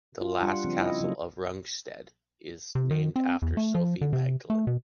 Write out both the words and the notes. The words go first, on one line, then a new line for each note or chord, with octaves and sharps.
The last castle of Rungsted is named after Sophie Magdalene.
F4
G3 D4 F4 F#5
C#3 F3 C4
E4 D#5
C#3 F#3 A#3
C3
D#3
C4
E2
A3
F3
D3
C3
A3
B2